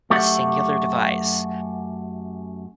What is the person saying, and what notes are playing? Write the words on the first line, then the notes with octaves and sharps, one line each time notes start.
a singular device
F#2 A3 G4 A4 E5 F#5